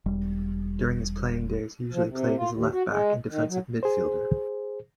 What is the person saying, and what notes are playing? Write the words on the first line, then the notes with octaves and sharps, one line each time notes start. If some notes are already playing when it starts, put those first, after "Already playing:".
During his playing days, he usually played as a left back and defensive midfielder.
E1 G3
F3
C3
F4
D#2
F#4
G#3
D#3
F#3
G#4 C5